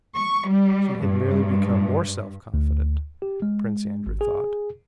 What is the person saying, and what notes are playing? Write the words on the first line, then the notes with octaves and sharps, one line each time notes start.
She had merely become more self-confident, Prince Andrew thought.
C#6
G3
G2
D2
G4
G#3
G#1
G#4